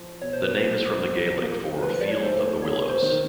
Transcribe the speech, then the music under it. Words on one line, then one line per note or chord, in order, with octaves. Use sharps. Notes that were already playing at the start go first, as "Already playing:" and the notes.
The name is from the Gaelic for "field of the willows".
Already playing: F3
B2 C#5
C5
B4
C5
F#3
F#3
A#3
F3 B4
D5
C#5
A3 C5
A#3 C#5
C5
D#3
C5